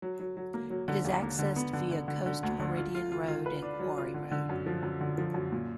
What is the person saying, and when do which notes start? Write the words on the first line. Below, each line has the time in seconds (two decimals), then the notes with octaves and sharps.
It is accessed via Coast Meridian Road and Quarry Road.
0.02 F#3
0.20 F#3
0.37 F#3
0.54 A#3
0.70 F#3
0.88 D3
1.05 D#2
1.22 A#3
1.39 D3
1.56 B3
1.73 D3
1.91 D3
2.08 D3
2.26 D3
2.43 D2
2.60 D3
2.77 F4
2.95 F4
3.12 F4
3.28 F4
3.46 B4
3.62 D4
3.79 F#3
3.98 F4
4.14 D3
4.31 D3
4.49 F#2
4.66 F3
4.83 F#2
5.01 D3
5.18 F3
5.34 F#2
5.52 A#2